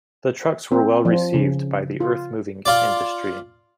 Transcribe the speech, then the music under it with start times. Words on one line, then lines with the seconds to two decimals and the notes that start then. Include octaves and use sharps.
The trucks were well received by the earth moving industry.
0.72 C4
1.05 F3
1.34 C#3
2.00 F4
2.66 F4 D5